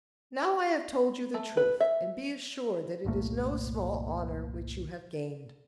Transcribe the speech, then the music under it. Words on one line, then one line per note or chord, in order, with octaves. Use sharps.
Now I have told you the truth, and be assured that it is no small honour which you have gained.
A3
B4
E5
G1 C2 A#2 A3